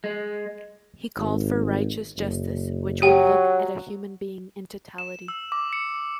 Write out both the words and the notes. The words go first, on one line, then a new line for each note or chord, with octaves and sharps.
He called for "righteous justice" which would look at a human being in totality.
G#3
G#1
F#1
F#3 G4 G5
E7
E6
D6
C#7